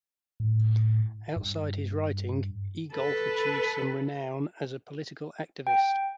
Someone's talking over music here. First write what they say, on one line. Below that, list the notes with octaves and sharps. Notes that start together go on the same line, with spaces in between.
Outside his writing, Egolf achieved some renown as a political activist.
A2
G2
A4 B4
G5